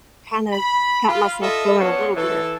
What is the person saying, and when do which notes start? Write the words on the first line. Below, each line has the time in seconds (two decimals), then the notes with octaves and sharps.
kind of got myself going a little bit,
0.52 B5
1.08 F4
1.42 F4 A4 D#5 E5
1.79 B3 C#4 D4
2.17 E3 A4